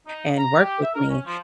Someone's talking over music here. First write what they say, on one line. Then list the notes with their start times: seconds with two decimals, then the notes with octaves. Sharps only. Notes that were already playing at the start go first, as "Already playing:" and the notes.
and work with me."
0.07 D#4
0.38 A#5
0.59 G4
0.82 E5
0.94 A#4
1.09 C#4
1.26 F3